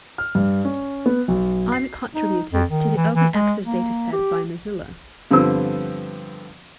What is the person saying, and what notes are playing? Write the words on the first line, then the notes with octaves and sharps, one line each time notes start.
I am a contributor to the open access dataset by Mozilla.
F6
G2
C#4
B3
B1
C7
D#4
F2
D#3
E3
E3
G#3
A#3
G4
G2 D3 F3 B3 C4 E6